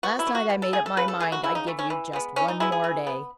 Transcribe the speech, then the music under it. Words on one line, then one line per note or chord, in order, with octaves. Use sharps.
Last night I made up my mind I'd give you just one more day.
B2 F#4
E4
A3
F#4
B2
A4
A3 G#4
A4
C#3 B4
A4
E3 A3 G#4
F#4
C#3 E4
D#4
E3 A3
C#4
E3
G#3 B3
E3 C#4
D#4
G#3 B3 E4
G#4
E3
B3